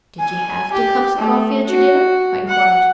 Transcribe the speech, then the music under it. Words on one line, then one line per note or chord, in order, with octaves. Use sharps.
"Did you have two cups of coffee at your dinner?" I inquired.
G#5
G4
A3
F#4
F#5